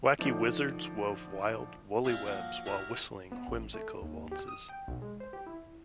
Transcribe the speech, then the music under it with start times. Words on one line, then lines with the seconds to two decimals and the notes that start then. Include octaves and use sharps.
Wacky wizards wove wild, woolly webs while whistling whimsical waltzes.
0.19 D3 D#3 F3 A3 D4 D#4
2.04 C4 D4 E4 F4 G4 G#4
2.25 F3 F#3 A#3 F#4
2.66 E4 F#4 G4 A#4
3.32 B3
3.48 A1
3.74 A3
4.02 D#2
4.31 G4
4.48 D#6
4.69 G5
4.88 B1
5.02 G#3
5.20 C5
5.33 G4
5.46 E4